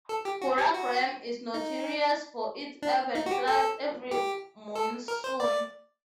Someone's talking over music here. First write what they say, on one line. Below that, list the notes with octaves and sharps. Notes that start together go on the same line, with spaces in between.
Gurugram is notorious for its urban floods every monsoon.
A4
G4
F#4
G4
F#4
D#4
D4
D#4
F#4
G4
A4
G4
A4
A#4
C5
D5